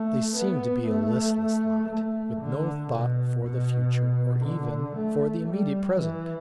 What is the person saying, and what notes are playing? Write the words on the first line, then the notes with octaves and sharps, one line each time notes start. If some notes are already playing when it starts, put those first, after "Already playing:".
They seemed to be a listless lot, with no thought for the future, or even for the immediate present.
Already playing: A3
B3
A3
A3
D3
B2
B2
D3
A3
G3
E3